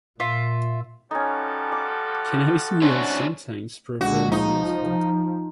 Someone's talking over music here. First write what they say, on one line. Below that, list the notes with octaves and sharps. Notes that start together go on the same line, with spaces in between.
Cannabis will sometimes prove very useful.
A#2 F4 E5
F3 G3 C#4 D#4 F#4 A4
D6
C#4 D4 F#4 C5 C#5 E5 E6
C#2 D3 G#3 F#4
F3 D#4